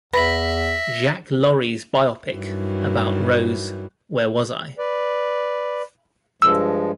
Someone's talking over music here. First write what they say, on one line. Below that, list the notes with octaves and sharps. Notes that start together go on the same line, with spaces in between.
Jacques Laurey's biopic about Rose, Where Was I?
E2 B4 E5 B5 A#6 B6 F#7
G2 D#3 E3 F#3
B4 D5
G2 F3 G#3 E6